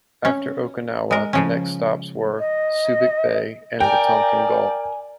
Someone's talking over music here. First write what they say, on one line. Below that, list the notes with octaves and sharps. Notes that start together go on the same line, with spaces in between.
After Okinawa the next stops were, Subic Bay and the Tonkin Gulf.
C#4
G#3 A#4
C#3 F3 C#4
D#5
A#4 D5 G5 G#5